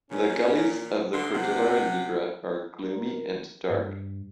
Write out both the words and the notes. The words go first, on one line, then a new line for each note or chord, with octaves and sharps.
The gullies of the Cordillera Negra are gloomy and dark.
A#2 C#4
D3 C6
C3 F#5
A#4
G2